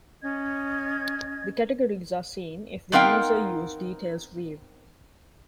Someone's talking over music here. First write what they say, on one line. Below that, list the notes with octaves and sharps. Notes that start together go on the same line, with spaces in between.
The categories are seen if the user use "Details" view.
C#4 D#5 G#6
B3 C4 D#4 A#4 F5 G5